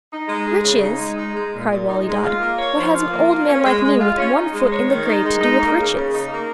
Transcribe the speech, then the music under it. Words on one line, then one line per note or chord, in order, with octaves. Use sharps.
'Riches!' cried Wali Dad, 'what has an old man like me with one foot in the grave to do with riches?
D#4
G#3
G#4
C#3
D#4
G#3
D#4
G#3
A#2
A#2
D#4
G#3
F4
A#3
C#5
F3
F4
A#3
F4
C#4
G#3
G#3
F4
C#4
D#4
G#3
C#5
D#3
D#4
G#3
D#4
A#3
C#3
C#3
D#4
A#3